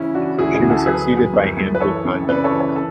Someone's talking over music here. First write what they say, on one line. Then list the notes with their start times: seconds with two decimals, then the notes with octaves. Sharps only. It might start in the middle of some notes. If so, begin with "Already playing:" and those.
She was succeeded by Andrew Kania.
Already playing: C#3 E3 C#4 E4
0.15 E3 D4 F#4
0.39 D2 E4 G#4
0.54 E4 G#4
0.62 D2
0.70 F#4 A4
0.86 F#3 G#4 B4
1.10 F#3
1.33 F#2
1.57 F#2
1.75 B4
1.80 E3 A4 C#5
2.05 C#3
2.29 C#3 B4 D5
2.44 A4 C#5
2.52 E3
2.60 A4 C#5
2.76 A4